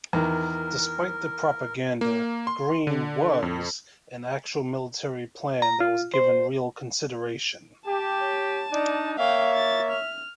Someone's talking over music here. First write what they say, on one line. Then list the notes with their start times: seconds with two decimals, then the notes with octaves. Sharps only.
Despite the propaganda, Green "was" an actual military plan that was given real consideration.
0.13 E2 D#3 A#4
2.01 A#3
2.47 C6
2.87 D3
3.42 F2
5.62 A#5
5.80 F4
6.14 C5
7.87 G4 A5
8.21 C#5
8.72 D4 D#4 D5
9.18 A#3 C#5 E5 F5 G5
9.54 A6
9.91 F6